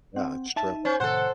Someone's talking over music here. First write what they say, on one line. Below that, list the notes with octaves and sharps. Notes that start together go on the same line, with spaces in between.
Yeah, it's true.
C4 F#5
D#4 E5 A5
C#4 C5
A2 C3 D#3 A4 C5 F#5